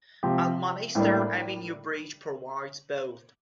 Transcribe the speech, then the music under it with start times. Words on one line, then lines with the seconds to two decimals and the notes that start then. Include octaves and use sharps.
Almonaster Avenue Bridge provides both.
0.23 C3 F3 C4 G4
0.95 A2 G3 A#3 D4